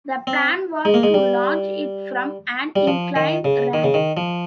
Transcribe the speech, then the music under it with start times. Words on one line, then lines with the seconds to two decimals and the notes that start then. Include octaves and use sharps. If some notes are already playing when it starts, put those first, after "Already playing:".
The plan was to launch it from an inclined ramp.
0.27 C4
0.85 G#3
0.94 A#3
1.03 G#3
1.14 G3
2.76 G3
2.87 F3
3.16 D#3
3.45 C#3
3.74 D#3
3.84 C#3
3.94 D#3
4.17 F3